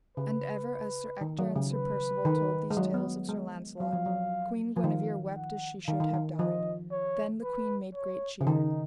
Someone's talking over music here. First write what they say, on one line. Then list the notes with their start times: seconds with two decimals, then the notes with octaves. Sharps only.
And ever as Sir Ector and Sir Percivale told these tales of Sir Launcelot, Queen Guenever wept as she should have died. Then the queen made great cheer.
0.17 C#3 B4
1.21 D#3
1.39 F#3
1.56 C#3
1.73 B4
2.25 D#3
2.70 G#3
2.77 F#3
2.94 B3
3.29 G#3
3.80 F#3 F5
3.93 F3
4.06 F#3
4.76 F3
4.84 D#3 F5
5.36 F#5
5.87 D#3 F5
6.00 D#3
6.14 D#3
6.39 F3 D#5
6.91 C#5
7.43 B4
7.95 C#5
8.41 C#3
8.47 D#3 D#4